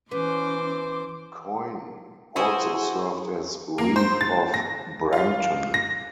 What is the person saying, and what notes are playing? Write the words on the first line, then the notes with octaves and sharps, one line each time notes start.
Coyne also served as reeve of Brampton.
E3 B3 C#4 C5 D6
E4 F#4 G#4 C5
A#3
C5
A6
A#6
F4
A#6